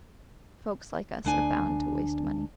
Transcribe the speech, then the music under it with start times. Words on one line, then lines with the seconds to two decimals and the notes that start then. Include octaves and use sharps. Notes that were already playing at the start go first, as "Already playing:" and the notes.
Folks like us are bound to waste money.
1.25 D2 D4 G#5